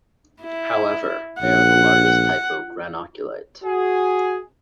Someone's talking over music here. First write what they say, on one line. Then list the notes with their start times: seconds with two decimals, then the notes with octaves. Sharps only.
However, they are the largest type of granulocyte.
0.42 E4
1.41 A#1 F#5
3.64 F#4 G#4